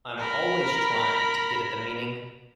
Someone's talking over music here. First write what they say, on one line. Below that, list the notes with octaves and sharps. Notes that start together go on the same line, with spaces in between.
I'm always trying to get at the meaning.
A#4 B5